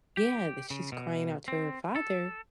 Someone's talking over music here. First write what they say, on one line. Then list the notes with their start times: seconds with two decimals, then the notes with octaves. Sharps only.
yeah, that she's crying out to her father
0.17 G4
0.70 C#3
0.92 B2
1.48 C4
1.96 A4